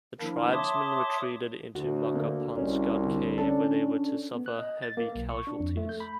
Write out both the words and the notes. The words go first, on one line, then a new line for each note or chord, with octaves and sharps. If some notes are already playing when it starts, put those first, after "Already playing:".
The tribesmen retreated into Makapansgat cave, where they were to suffer heavy casualties.
D#3 F3 A#3 D4 E4 A#4
C#5 E5 A5 C6 D6 D#6
D2 F#4
D3 A#3 A4
C2 C#4 D#4 D5
D3 C4
C#4 D4 A4
B3
F#6
D#5
A6
A#3
B1
C#6
D4
F2
A3
G6
B5